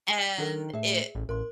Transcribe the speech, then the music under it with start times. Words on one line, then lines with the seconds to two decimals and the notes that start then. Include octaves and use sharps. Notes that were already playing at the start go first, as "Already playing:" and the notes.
and it
0.38 D#3 D4 A4 A#4
0.73 A2 G#4 E5
1.15 A1
1.29 A1 A#4 C6